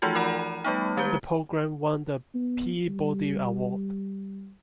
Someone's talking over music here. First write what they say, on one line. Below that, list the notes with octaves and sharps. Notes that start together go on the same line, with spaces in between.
The program won the Peabody Award.
E3 F3 A3 D#4 F4 F#4
A#4 D5 F#5 A#5 B5
B5
G3 A3 B3 D#4
D#3 G#3 G4 B4 G6 G7
B3
G3